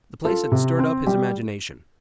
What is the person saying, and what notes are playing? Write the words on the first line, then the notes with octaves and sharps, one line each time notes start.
The place had stirred up his imagination.
F4 A4
C3
C4
G3 G4